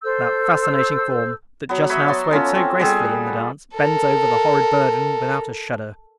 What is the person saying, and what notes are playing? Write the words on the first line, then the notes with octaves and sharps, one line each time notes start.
That fascinating form, that just now swayed so gracefully in the dance, bends over the horrid burden without a shudder.
A4 C5 E6 G6
F#3 B3
B4 C#5 D#5 E5
A5 C6 C#6
B3 C#4 F4 A4
C4
G3 B3 G#4 A4
A4 A#4